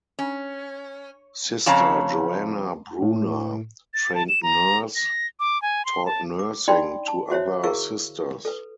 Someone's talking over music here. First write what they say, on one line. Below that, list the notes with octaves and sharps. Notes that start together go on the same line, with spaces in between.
Sister Joanna Bruner, trained nurse taught nursing to other Sisters.
C#4
F2 C#3 C#5 F5 A5 A#5
A2
A6
A5
E7
A#5
A#6
D6
G#5
C6
A5
D6
D4 D#4 D5 G5 B5 C6
A5
F#4 C5 C#5 E5
E4 G#4 A#4 F5 C#6 E6
A4 B4